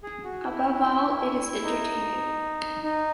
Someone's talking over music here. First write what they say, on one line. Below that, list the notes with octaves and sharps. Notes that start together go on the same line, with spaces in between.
Above all, it is entertaining.
G#4
F#4
E4
D#4
D#4